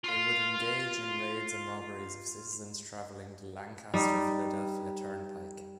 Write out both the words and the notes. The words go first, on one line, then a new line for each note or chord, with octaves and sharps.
They would engage in raids and robberies of citizens traveling the Lancaster Philadelphia Turnpike.
F4 F5
G3 D#4